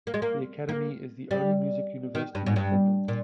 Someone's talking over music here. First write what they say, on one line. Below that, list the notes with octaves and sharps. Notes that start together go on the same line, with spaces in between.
The Academy is the only music university in Finland.
A#3
G#3
A#3
A#3
G3
D#3
G2
G#2
G2
A#2